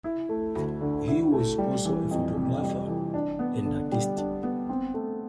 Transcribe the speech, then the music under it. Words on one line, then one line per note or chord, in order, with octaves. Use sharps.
He was also a photographer and artist.
E4
A3
D2
D3
E4
A3
G3
E3
F2
C3
G3
E3
D4
B3
D3
G3
D4
B3
C4
A3